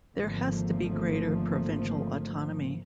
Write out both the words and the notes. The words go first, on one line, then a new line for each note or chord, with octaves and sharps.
There has to be greater provincial autonomy.
G#1 D3 F3 A3 A#3